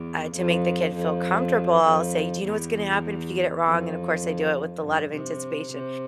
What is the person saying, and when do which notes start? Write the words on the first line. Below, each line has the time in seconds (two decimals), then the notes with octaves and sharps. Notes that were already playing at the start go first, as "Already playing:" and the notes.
uh, to make the kid feel comfortable, I'll say, "Do you know what's gonna happen if you get it wrong?" And, of course, I do it with a lot of anticipation.
Already playing: E2
0.36 F2
0.95 F2
1.84 F2
2.44 E2
3.64 F2
4.83 G2
5.13 C3
5.73 C3